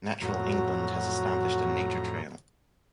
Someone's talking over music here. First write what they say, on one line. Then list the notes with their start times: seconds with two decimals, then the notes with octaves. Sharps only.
Natural England has established a Nature trail.
0.22 F2 A2 F#3 F#4 A#5